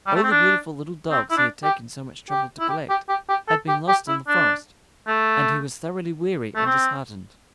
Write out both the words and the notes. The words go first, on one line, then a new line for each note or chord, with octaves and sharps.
All the beautiful little dogs he had taken so much trouble to collect had been lost in the forest, and he was thoroughly weary and disheartened.
G3
A3
C4
D4
C4
E4
D4
G4
G4
E4
G4
G4
G4
G4
A4
G4
G4
E4
D4
A3
A3
C4